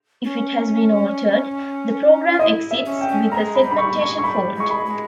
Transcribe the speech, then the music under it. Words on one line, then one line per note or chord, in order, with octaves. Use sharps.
If it has been altered, the program exits with a segmentation fault.
C#4
E4 D#5
E5
C#4
G5
C#4
G#3 A#5
B5
G3
B5
C#6
B3
G#3 C#6
C#6
G3 B5
G#3
C#6
B5
G#3